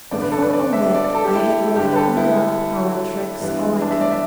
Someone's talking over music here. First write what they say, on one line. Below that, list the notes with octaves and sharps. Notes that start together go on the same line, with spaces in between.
But for all that, I had rather cover up our tracks all I can.
A1 G2 D3 B3 D5
B4
A4
B4
D5
E5
D5
D5
A4
G4
E4
G1 G2 D3 G3 G4
B4
A4
E4
G2 E3 G3 B3
D4
E5
D5
E5